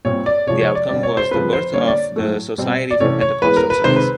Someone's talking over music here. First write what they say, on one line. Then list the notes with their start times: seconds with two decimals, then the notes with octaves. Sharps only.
The outcome was the birth of the Society for Pentecostal Studies.
0.05 A#2 G3 C4 C#5
0.26 D5
0.47 C3 F3 G#3 C#5
0.61 C#5
0.75 D5
0.89 B2 G3 C4 D5
1.03 C#5
1.17 C5
1.31 C#3 F3 A3 C4 B4
1.53 C5
1.73 D3 G3 A#3 C#4 C#5
1.87 D5
2.16 A2 F#3 A3
2.58 B2 G3 C4
2.91 D5
3.00 C3 E3 A3 C#4 C#5
3.21 C#5
3.42 E3 G#3 B3 B4
3.57 A#4
3.70 B4
3.84 C3 D#3 G#3 C4 C5
3.96 B4